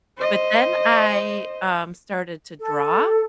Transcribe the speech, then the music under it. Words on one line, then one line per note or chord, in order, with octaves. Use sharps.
but then I, um, started to draw,
C5 D#5
A4